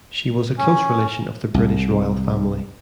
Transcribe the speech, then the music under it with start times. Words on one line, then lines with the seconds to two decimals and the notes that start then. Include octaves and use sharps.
She was a close relation of the British Royal Family.
0.58 C#4
1.54 C2